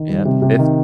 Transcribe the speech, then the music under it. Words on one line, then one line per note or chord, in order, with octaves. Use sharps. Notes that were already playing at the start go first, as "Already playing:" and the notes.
Yeah, fif
Already playing: D#3
G3
C3
C3
D#3